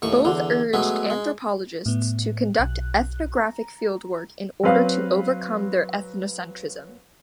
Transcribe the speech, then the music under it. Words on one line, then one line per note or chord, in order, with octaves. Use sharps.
Both urged anthropologists to conduct ethnographic fieldwork in order to overcome their ethnocentrism.
D#2 A2 C#6
E2 D3
F#3 G#3 A3 B3
G#3
A2 B3
B1 F#6
A#5
F#3 C4 B4 F5